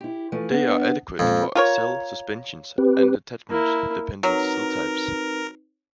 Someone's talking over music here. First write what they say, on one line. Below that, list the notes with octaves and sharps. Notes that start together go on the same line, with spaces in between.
They are adequate for cell suspensions and attachment dependent cell types.
E4 G4
E3 F3 A3
B3 D4 E5
F2 A#2 G#3 C4
F4 A#4 C#5
C4 G4 B4
A#3 E4
F#3 C4 D#4 A#4 B4